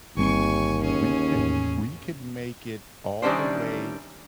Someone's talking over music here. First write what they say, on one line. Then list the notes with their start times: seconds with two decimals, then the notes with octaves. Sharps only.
we could we could make it all the way
0.17 G1 D#2 G3 C4 G#5 C#6
0.81 C#4 G#4
1.35 E2 A2
3.22 D#3 E3 G3 C#4 D4 C5